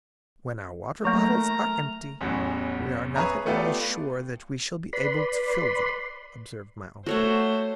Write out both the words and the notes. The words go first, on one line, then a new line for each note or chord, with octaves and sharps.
"When our water bottles are empty, we are not at all sure that we shall be able to fill them," observed my uncle.
F#3 A3 A#3 A#4 A#5
A1 E2 F#3
G#4 B4 C#5 E5 G#5 A#5
A3 B3 F4 G4 D5 E5
B4 D5 B5 C6
A3 F#4 C5 C#5 F#5